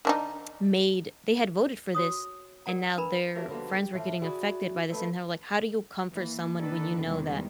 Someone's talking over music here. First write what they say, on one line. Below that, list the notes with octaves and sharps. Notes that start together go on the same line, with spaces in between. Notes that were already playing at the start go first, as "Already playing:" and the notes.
Made they had voted for this and now their friends were getting affected by this and how, like, how do you comfort someone when you know that
D#3 D4 D#4
F#4 C#5 D#6
A#4 D5 F#5 A#5
D4 A#4 B4 A#5 B5
A3 F#4 G4 A#4 C#5 F5
D3 F3 G3 A#3 B3 F#4
G4
A2 E3 F3
E4 F#4 G#4 D5
F#2 D#3 G#3 A3 B4
E3 A#3
D#3 D4 D#4 A4 B4
E2 C3 D#3 G3 G#3